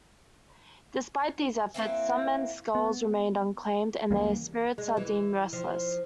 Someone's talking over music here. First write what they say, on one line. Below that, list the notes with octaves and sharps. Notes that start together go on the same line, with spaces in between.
Despite these efforts some men's skulls remained unclaimed and their spirits are deemed restless.
E3 A#3 C4 E4
B3
C#2 E3 G3 A#3
G#3
E3
F3